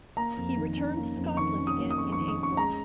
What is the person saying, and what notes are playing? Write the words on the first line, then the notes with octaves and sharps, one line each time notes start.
He returned to Scotland again in April.
A#3 A#5
F2
D#3
C#4
A#3
F2
D#3 C#6
C#4
D#6
A#3
D#6
F2 C#6
C#6
D#3
D#6
C#4
C#6
G#3 A#5